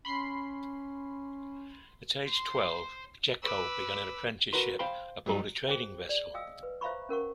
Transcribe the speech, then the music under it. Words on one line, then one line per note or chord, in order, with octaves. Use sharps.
At age twelve, Pacheco began an apprenticeship aboard a trading vessel.
C#4 B5 C6 C7
C5 C6
B4 D6 E6
F#4 A#4 B4 C6
C5 F5 G5 B5 C6
G2 F#3 G3 D#4
G#4 C5 G5
D5
D#5 F5 G5 D#6 E6
B4
C5 E5 F5 A#5 B5 C#6
C#4 A#4 F#5 C#6